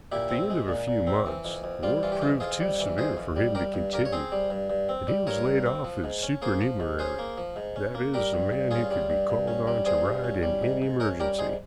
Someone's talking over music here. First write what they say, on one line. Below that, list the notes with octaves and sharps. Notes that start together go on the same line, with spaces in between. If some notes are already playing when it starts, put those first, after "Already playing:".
At the end of a few months the work proved too severe for him to continue, and he was laid off as supernumerary--that is, a man who could be called on to ride in any emergency.
A#2 E4 G4
C4
G#3
A#2
A#2
C4
E3
F2
F2
G3 F4
E3 F4
G4
F2 F4
F2 F4 G#4
G3
E3
F2 G#4 C5
F2
G3
G3 G4 A#4
G2
G2 G4 A#4
C#5
C4 G#4 C5
G3
G2
G2
C4
G3
G2 A#4 C#5
G2
C4
F3
G#2
C#4
A#3 G#4 C5
F3
G#2
C#4 G#4 C5
A#3
F3
G#2
C#4
A#3
G3 G4 A#4
G2
G2
C#4 F4 G#4
G3
G2
G2
C#4
G3
G2 G#4 C5
G2
C#4
G3
G#2
G#2
C#4 A#4 C#5
G3 G4 A#4
G#2 G#4 C5